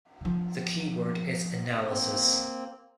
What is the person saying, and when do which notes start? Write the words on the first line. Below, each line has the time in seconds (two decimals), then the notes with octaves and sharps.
The key word is analysis.
0.21 D3 F3
1.89 A#3 C4